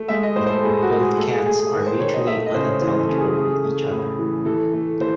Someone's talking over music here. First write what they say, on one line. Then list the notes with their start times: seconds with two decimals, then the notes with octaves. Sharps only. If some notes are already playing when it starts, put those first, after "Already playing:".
Both cants are mutually unintelligible with each other.
Already playing: A3
0.08 G#3 E5
0.23 D#5
0.36 A2 C5
0.46 C5
0.50 A4
0.63 A2 G#4
0.82 F#4
0.90 G#3
1.00 G#4
1.18 A3 A4
1.32 G#4
1.46 A3 G#4
1.60 G#4
1.73 D#3
1.87 C5
2.00 D#3 C#5
2.14 D#5
2.27 A3 E5
2.46 D#5
2.54 C#3 C5
2.64 C#5
2.82 E3 C5
3.01 A4
3.09 C#3
3.18 G#4
3.36 A3 G#4
3.64 A3
3.91 A2
4.19 E3
4.45 E3 A4
4.73 A3
5.00 E3 C5